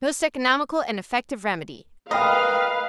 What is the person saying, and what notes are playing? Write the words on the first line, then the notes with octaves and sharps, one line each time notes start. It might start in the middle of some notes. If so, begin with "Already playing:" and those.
Most economical and effective remedy.
A#4 B4 D#5 F5 G5 B5